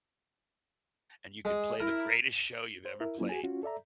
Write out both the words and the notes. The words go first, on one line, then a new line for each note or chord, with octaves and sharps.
and you could play the greatest show you've ever played,
G#3
E4 A#4
C5
E4 A#4 E5
F#3 A#3 C#4 E4 F4
F#4 G#4 G#5
C#4 F4 F#4
A4 D5 E5 A#5